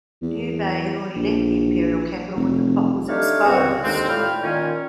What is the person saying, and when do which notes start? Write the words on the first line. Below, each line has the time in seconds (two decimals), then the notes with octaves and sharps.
Liu Bei had already left the imperial capital when the plot was exposed.
0.22 E2
1.16 A#1
2.36 F1
3.09 A3 D4 D#4 G4 C#5 F5
3.45 C#2 G#2 F3 C4 F#4
3.84 D#2 D3 D#3 G#3 C4
4.08 A2 F4 D5 G5 B5 F6
4.42 A#2 D#3 C#4